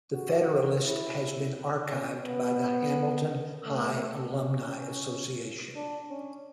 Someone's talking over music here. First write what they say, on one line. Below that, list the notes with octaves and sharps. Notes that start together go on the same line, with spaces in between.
The Federalist has been archived by the Hamilton High Alumni Association.
F#4
E4
C#4
B3
A3
C#4
D4
C#4